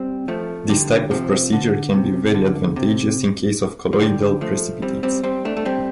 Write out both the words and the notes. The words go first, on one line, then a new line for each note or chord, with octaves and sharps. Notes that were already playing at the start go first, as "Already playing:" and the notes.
This type of procedure can be very advantageous in case of colloidal precipitates.
Already playing: G3 C4
F3 A3
D3 G3
C3 F3
D3
C3
D3
C3
F3
D3 G3
F3 A3
G3 C4
G3 C4
G3 C4
A3 D4
A3
G3 C4